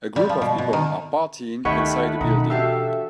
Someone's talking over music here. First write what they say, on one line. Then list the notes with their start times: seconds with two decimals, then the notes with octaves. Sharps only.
A group of people are partying inside a building.
0.16 G3
0.29 F3
0.42 B2
0.58 B2
0.73 D#3
1.65 D2 D#3 A3 G4 C#5 D#5 F#5 B5
2.21 B2 E3 D#4
2.50 D4 F#4 G4 A4 E5 F5